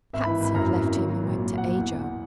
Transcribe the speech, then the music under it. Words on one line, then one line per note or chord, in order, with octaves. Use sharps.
Patsy left him and went to Ajo.
G#1 E5
B5
E3
G#1 B5
F#2 A#5
E3
G#1
F#3
F#3
A#1
A#2
A#2
F#5
A#2
E2
E2